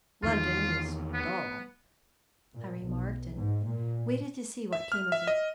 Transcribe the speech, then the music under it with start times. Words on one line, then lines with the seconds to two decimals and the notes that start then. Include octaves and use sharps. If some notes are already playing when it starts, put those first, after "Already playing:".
"London is dull," I remarked, and waited to see what came of it.
0.23 E2 D#3 F4
1.14 B3
2.54 A#2
2.83 B1
3.36 G#2
3.64 A#2
4.73 E5
4.92 F6
5.12 E5
5.27 D#5